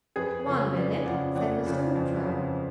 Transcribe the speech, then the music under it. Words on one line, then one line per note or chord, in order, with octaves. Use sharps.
"One minute!" said Mr. Hoopdriver.
F2 G#4 B4
C#3 F3 A4 C#5
F2 B4 D5
C#3 F3 D5 F#5
F2 D5 F#5
C#3 F3
F2
C#3 F3